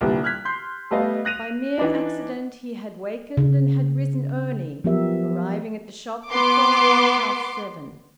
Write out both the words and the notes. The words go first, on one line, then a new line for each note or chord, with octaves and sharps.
By mere accident he had wakened and had risen early, arriving at the shop before half-past seven.
C2 A#2 D3 E3 G3
F6 F#6 G#6 B6
C6 G6 C7
G3 A3 B3 D#5 F5
F#6 A#6 D#7 F7
E3 D4 D#4
C#3
F3 F#3 B3 G4 A#4 E5
B3 C6 D6